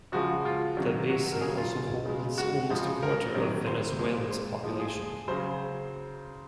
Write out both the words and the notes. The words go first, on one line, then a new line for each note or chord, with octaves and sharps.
The basin also holds almost a quarter of Venezuela's population.
C#3 F3 G#3 F#4
F4
C3 D#3 F#3
F#4
A#4
C#3 F#3 G#4
F4
F4
C#3 G#3
F#4
C#3 F3 G#3
A#4
C3 D#3 F#3
C5
A#2 G#3
C5
A#2 F3 G#3
G#4
C#3 F#3 C5